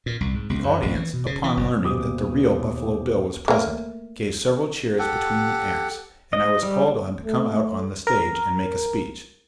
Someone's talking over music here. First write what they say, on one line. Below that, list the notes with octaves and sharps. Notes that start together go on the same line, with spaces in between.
The audience, upon learning that the real "Buffalo Bill" was present, gave several cheers between the acts, and I was called on to come out on the stage and make a speech.
A#2
C2
G#2
C#2
F#2
A1
E3
B2
C#3
E3
F#1
D#1 B2 G4 D6 D#6
A3 A#3
G4 A4 F#5
D#5
G3
A3
A#4